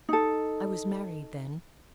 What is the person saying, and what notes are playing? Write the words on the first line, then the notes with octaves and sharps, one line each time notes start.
I was married then.
D#4 A4